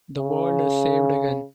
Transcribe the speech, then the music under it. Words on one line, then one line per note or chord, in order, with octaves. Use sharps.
The world is saved again.
C#3